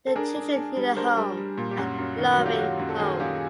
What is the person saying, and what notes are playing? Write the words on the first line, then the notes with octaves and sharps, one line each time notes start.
The children need a home, a loving home.
A4
D4 G#4 A#4
D4
D4
G3
D4 A#4 C5
G3
G3
A#2
G4
F#2 F#4
F#2
D#3 F#4
F#4
F#3
F4 G4
F#3 F#4
F#2
A4
D#3 F#4 G#4
F#2 F4 G4